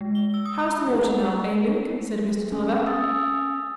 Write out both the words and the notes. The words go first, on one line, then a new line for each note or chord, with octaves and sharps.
"How's the water now, eh, Luke?" said Mr. Tulliver.
G#3
G7
E6
D#6
B5
A#3
F#5
C#4 G#4
D#6 E6 A6